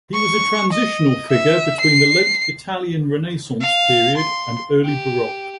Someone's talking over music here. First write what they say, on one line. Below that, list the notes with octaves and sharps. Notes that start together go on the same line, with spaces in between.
He was a transitional figure between the late Italian Renaissance period and early Baroque.
C#6
D#5
E5
C7
F5
C6
G4